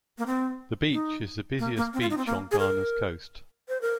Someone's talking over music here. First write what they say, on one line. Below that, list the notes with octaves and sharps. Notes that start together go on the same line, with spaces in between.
The beach is the busiest beach on Ghana's coast.
A#3
C4
D#4
A#3
A#3
C4
F4
D#4
C4
A#3
G#4
A#4
C5
A#4